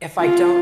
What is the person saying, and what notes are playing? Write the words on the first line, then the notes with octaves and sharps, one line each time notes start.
if I don't
F4